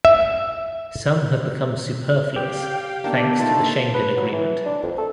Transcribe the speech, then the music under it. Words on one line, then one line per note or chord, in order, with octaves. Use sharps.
Some have become superfluous thanks to the Schengen Agreement.
E5
G4 F5 G5
A#3 B3 D4 A4
A3 A#3 D4 D#4 F4 A5
B4
F#3
E3
D4
F2
A4